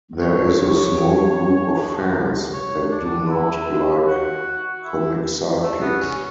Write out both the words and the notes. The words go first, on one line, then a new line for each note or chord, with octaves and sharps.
There is a small group of fans that do not like comic sidekicks.
C#5
C#5
C#5
D4
E4
F#4
E4
A3
B3
C#4